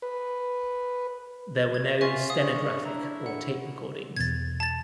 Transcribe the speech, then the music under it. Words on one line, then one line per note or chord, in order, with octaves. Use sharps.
There were no stenographic or tape recordings.
B4
G#6
F4 E5 G#5 C#6
F5 D#6
D4 C#5
E4 A#5
F#5
E2 B2 G#6 A6
A5 A6